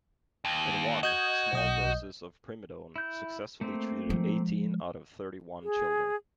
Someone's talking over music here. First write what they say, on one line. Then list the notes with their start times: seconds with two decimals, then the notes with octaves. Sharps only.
In one, small doses of primidone successfully treated eighteen out of thirty-one children.
0.45 D#2
1.03 F#4 D#5 G6 G#6
1.53 B1 D#5 G6
2.96 E4 G6
3.61 A3 A#3 C4
4.09 F3 G#3
5.63 G#4